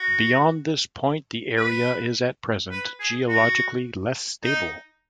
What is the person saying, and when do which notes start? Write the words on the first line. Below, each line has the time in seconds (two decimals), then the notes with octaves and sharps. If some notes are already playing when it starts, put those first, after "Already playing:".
Beyond this point the area is at present geologically less stable.
Already playing: F#4
1.57 B4
2.71 B4
3.00 G#4
3.29 F#4
4.44 D#4